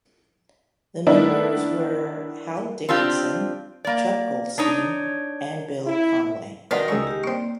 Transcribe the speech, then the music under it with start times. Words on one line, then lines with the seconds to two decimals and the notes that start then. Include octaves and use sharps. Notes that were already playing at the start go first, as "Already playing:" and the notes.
The members were Hal Dickinson, Chuck Goldstein, and Bill Conway.
1.07 D#3 B3 D4 E4
2.89 C4 D4 F4 G4
3.85 A#3 D5
4.58 D4 D#4 C#5
5.87 E4
6.71 D#3 B3 D4 F4 F#4
6.88 C#2 G#5 A#5 C#6 E6
7.07 G4
7.24 A#3 C4 D5 C#6